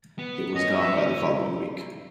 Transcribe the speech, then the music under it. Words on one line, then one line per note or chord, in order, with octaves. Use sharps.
It was gone by the following week.
B3
C#4 D#5
B3 E5
C#4